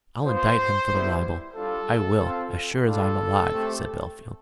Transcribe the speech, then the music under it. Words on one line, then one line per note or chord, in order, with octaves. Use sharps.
"I'll indict him for the libel--I will, as sure as I'm alive," said Bellfield.
B3 F4 C5
G3 B3 E4
G3 D4 F4 A4
C4 F4
G3 D4 F4 A4
A3 C4 G4